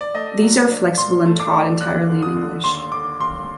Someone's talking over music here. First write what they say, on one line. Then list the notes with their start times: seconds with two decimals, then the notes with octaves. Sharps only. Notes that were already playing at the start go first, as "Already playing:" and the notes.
These are flexible and taught entirely in English.
0.01 D5
0.14 A3 D#5
0.42 F#3
0.70 D4
0.97 A#2 C6
1.26 A3
1.40 D6
1.53 D4
1.81 D#2 F#6
2.09 D3
2.22 D#6
2.37 D3
2.64 D#2 C6
2.92 D3 D6
3.20 D#2 C6